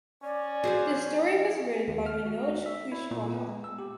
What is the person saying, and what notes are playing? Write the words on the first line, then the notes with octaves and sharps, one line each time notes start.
The story was written by Manoj Kushwaha.
C#4 D5
F3 F#4 G#4 C5 F5
D#2
F6
F#4
F#4
E5
E4
A#2
B3
G#3
E6
G4